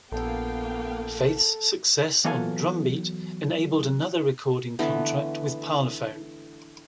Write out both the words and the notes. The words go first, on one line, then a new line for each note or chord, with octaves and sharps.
Faith's success on "Drumbeat" enabled another recording contract, with Parlophone.
A#1 A#3 B3 A4 F5 G5
E3 F#3 B3 A4 F5 G#5
D3 E3 A3 B3